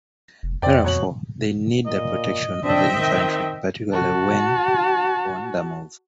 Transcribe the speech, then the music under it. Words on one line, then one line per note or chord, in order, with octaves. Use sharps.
Therefore, they need the protection of the infantry, particularly when on the move.
F1
F2 C4 D5 G5
B2 C#5 F#7
A#2 D#5
C4 D4 D#5 E5 G5
D#3
F#4 A5